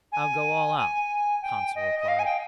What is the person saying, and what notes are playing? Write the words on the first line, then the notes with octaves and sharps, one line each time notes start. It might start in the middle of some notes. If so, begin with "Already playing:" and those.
"I'll go all out," Conseil replied.
G#5
G#5
G5
D#5
D#5
F5
G#5
G5